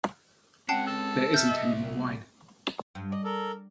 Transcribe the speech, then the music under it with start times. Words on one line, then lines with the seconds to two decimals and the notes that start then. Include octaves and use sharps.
There isn't any more wine.
0.69 G#3 C4 C#4 F#5 G5 A5 C7
0.87 A4
1.34 C2 C4 E5 F6 G6
1.49 D#5
1.76 A#3
2.95 G2
3.12 D5 D#5
3.24 A4 A#4